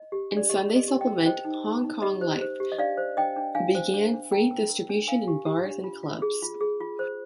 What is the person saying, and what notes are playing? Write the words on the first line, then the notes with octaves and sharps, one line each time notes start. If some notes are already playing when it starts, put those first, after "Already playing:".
Its Sunday supplement, Hong Kong Life, began free distribution in bars and clubs.
Already playing: D#5
G4
D4
D5
G4 D#5
A#4
D#5
G4
D#5 G5
A#4
C5 D#5 G5
D#4
D#4
D#4
G4 D#5
C5
C5
G4
D#5
D4 D5 F5
C5
D4 D#5 G5
D4
D4 F5 G#5
C5
D4
D4
A#4 G5 A#5
A#4
A#4
D4
A#4 F5 G#5
G4
G4
D4
F4
F4
G#4
F4
G#4
F4
C5